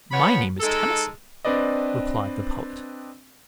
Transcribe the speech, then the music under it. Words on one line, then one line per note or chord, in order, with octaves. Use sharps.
"My name is Tennyson," replied the poet.
F3 B3 C#5 F#5 B5
G#3 D#4 A4
C4 D4 B4 D5 D#5